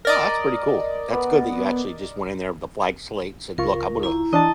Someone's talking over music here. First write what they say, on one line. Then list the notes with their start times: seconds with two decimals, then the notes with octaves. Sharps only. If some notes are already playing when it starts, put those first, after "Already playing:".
Oh, that's pretty cool. That's good that you actually just went in there with the flag slate and said, "Look, I'm gonna
0.05 A#4 D5 D#5
1.13 B3
3.58 C#2 F4 A#4 C#6
4.03 E4 A#5
4.33 E3 D4 D#5 A5